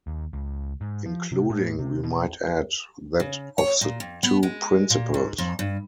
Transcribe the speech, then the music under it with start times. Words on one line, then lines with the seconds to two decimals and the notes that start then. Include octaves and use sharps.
Including, we might add, that of the two principals.
0.07 D#2
0.33 C#2
0.81 G#2
1.05 F3
1.32 C3
1.50 A2
1.79 C3
2.04 B2
3.20 C#3
3.58 C#5
3.81 A#2
4.00 F2
4.23 B3
4.43 G#3
4.90 A#2
5.14 G#2
5.38 F2
5.59 G2